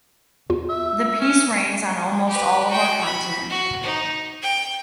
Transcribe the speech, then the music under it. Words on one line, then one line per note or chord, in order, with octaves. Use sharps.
The piece reigns on almost all of our continent.
E2 F4
E5
C#4
G4 B4
F#4 G5
B5
F#4
D#4
G5